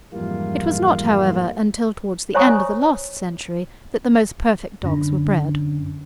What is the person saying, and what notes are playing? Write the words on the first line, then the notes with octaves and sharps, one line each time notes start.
It was not, however, until towards the end of the last century that the most perfect dogs were bred.
F2 G#2 E3 G3 A#3 F4
C5 C#5 G#5 A#5 C#6 D#6
F#2 D3 C#4 D4